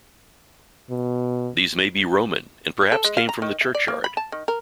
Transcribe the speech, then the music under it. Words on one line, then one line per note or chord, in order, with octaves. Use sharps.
These may be Roman and perhaps came from the churchyard.
B2
A4
G#3
F5
A#5
D#3
E5
D5
A#3
B5
A5
D#3
A#4